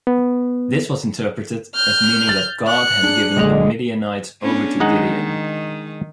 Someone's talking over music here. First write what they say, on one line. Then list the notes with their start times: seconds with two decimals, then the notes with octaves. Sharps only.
This was interpreted as meaning that God had given the Midianites over to Gideon.
0.07 B3
1.75 F6 G6
2.27 A6 F7 F#7
2.67 F#6 C#7
3.03 D4 G#4
3.36 A#1 D3 G#3 D#5 F7
4.41 B3 C#4 D4
4.80 D#3 G#3 D#4 F#5